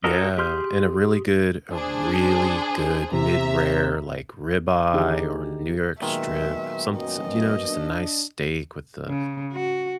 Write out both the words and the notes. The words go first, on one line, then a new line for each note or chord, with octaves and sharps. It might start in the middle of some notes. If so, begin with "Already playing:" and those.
yeah, and a really good a really good mid-rare, like, ribeye or New York strip, some s you know, just a nice steak with, uh,
C#4 F#4 A4 A#4 D#5
G4 G#4 C6 F6 G6
D4 G#4 C5
C3 E5 A#5
D3 D#3 D#4 G4 G#4
A#2 D#3 F#3 G#3 A#3 B3 E5
F#2 D#5
D4
C#3
F#4